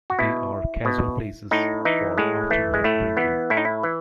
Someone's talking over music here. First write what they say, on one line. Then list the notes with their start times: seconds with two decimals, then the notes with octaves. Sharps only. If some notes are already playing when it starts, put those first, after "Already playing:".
They are casual places for after-work drinking.
0.10 F#4
0.19 B2 E4
0.85 B2
1.51 A2 D#4
1.85 E3 D#4
2.18 A2 G#3
2.50 E3 A3
2.74 G#3
2.84 A2 A3
3.17 E3 B3
3.50 A2 E4
3.57 D#4
3.65 E4
3.83 E3